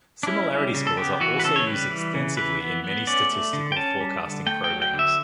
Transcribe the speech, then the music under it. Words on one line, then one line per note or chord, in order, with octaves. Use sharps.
Similarity scores are also used extensively in many statistical forecasting programs.
D4
C#4 E4
G3
C#3
A4
B3 G4
E3 F#4
B4
C#3 A4
C#5
G3 B4
E3
C#3
E3 B4
B3
B3
C#4 D5
A3
D3
G5
C#4 A5
G3
D3
A3 G5
G5
F#3
G5
D3
E5